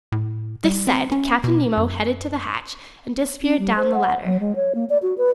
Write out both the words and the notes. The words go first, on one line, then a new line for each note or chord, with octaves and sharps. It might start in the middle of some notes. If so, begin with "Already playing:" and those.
This said, Captain Nemo headed to the hatch and disappeared down the ladder.
A2
G3
C4
C#4
B2
F#2
C#4
G3
C5
F#5
F#3
G#3
C#5
A#3
D5
F#4
B4